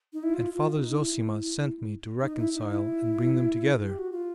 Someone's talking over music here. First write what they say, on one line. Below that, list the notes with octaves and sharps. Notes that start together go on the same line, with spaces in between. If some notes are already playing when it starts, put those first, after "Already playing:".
And Father Zossima sent me to reconcile and bring them together.
D#4
E4
F4
F4
D#4
E4
D#4
E4
D#4
E4
G4
F#4
F4